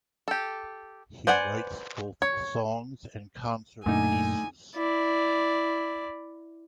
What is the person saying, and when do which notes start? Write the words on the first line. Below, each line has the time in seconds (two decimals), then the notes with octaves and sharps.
He writes both songs and concert pieces.
0.28 G4 A4
1.27 B4 C5 D5 F#5 G#5
2.22 C#5
3.86 F#2 A#2 D3 A3 D#4 G#5
4.75 E4 D5